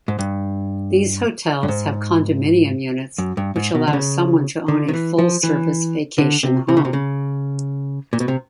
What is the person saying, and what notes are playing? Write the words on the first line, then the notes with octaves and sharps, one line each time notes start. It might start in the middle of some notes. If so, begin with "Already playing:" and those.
These hotels have condominium units which allow someone to own a full-service vacation home.
G#2
G2
G2
G#2
F#2
G2
G#2
B2
D3
C#3
D3
D#3
E3
F3
E3
D3
C3
C3
C#3
C3
C#3
A#2
B2
C3